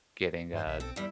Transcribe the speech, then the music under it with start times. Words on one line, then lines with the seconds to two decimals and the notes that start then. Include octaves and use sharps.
getting a,
0.53 G2 C5
0.67 B1 E5
0.80 C4 A4
0.96 E2 G3 E4